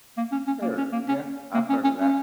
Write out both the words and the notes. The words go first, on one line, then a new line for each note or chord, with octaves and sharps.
Sure. Yeah, I've heard of that.
A#3
C#4
C#4
A#3
C#4
A#3
C#4
A#3
C#4
C#4
C#4